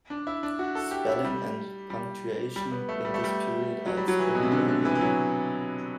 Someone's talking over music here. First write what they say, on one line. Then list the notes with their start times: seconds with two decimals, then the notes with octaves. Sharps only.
Spelling and punctuation in this period are extremely variable.
0.10 D4
0.27 E4
0.43 D4
0.59 F#4
0.75 A4
0.91 G4
1.09 E4
1.25 G3
1.90 G3
2.56 G3
2.72 B3
2.89 A3
3.05 G3
3.14 A3
3.24 G3
3.86 F#3
3.97 G3
4.08 F#3
4.19 E3
4.35 B2
4.43 C3
4.52 D3
4.68 D3
4.85 E3
4.95 E3
5.01 F#3